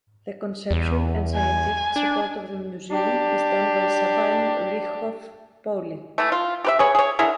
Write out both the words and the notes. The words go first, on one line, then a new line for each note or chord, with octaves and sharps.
The conception and scientific support of the museum is done by Sabine Rieckhoff-Pauli.
E2
G#5
D4
D4 G4
E3 A3
F4
G4 B4 E5
G#4 B4 C#5
G#4 C#5
D3 E4 G#4 A#4